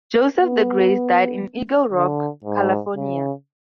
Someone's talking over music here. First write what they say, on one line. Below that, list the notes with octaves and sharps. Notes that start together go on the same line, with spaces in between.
Joseph De Grasse died in Eagle Rock, California.
B3
D3
G#2
C#3